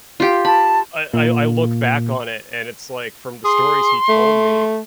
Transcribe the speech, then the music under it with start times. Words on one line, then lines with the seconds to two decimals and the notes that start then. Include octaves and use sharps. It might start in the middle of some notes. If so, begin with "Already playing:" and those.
I I I look back on it, and it's like, from the stories he told me,
0.20 F4 G4
0.45 A5 B5
1.13 A#2 A#3
3.45 G#4 C6
4.09 A3